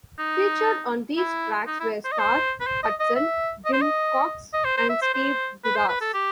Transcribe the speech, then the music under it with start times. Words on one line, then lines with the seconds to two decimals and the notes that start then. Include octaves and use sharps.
Featured on these tracks were Starr, Hudson, Jim Cox and Steve Dudas.
0.19 D#4
1.17 E4
1.67 D#4
1.80 E4
2.04 C5
2.12 D#5
2.19 C5
2.61 B4
2.67 C5
2.83 D#5
2.99 D#5
3.16 E5
3.65 D#5
3.73 C5
3.82 D#5
4.53 D#5
4.65 C5
4.77 C5
4.89 E5
5.02 C5
5.14 C5
5.64 B4
5.76 C5
5.88 B4
6.01 A4
6.14 G4